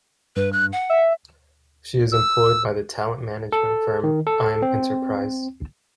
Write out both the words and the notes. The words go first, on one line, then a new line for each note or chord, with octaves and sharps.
She is employed by the talent management firm I'm Enterprise.
G2 B4
F#6
F#5
E5
E6
A4
D#3
A4
C4